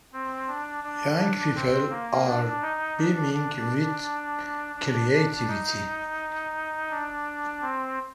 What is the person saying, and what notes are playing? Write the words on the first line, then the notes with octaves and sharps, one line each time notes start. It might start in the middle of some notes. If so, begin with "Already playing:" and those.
Young people are beaming with creativity.
C4
D4
D4
D4
C4
A#3
D4
D#4
D4
D4
D4
D#4
D4
C4